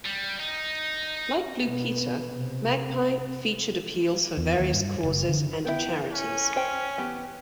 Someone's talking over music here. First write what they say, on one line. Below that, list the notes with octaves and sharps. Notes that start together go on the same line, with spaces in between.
Like "Blue Peter", "Magpie" featured appeals for various causes and charities.
G3
D#4
B2 B3
C3
E2
D#2
G2
F#1
D3
B3 E4 G5
C#4
C5 G5
E3 B3 G4